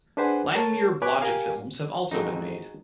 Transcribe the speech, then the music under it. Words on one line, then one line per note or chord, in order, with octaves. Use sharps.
Langmuir-Blodgett films have also been made.
D4 G#4 B4 C5 F#5 G#5
A#4 C#5 A5
B4 C#5 G#5 C#6 D6 F#6
G4 A#4 F5 G#5
A1 F2 D#4 F#4 G#4